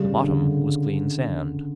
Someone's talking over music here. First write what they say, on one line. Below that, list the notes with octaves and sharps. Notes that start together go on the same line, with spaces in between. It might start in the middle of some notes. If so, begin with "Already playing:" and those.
The bottom was clean sand.
Already playing: C#3 G3
D3